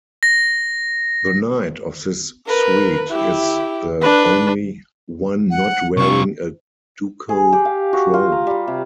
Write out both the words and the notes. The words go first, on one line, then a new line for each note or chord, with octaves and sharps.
The Knight of this suit is the only one not wearing a ducal crown.
A#6
A#4 B4
E4 G4
D4 B4
F#5
C3 F4 C#6
G#4
G4
F5
F#4
F4
A#5
G3
C3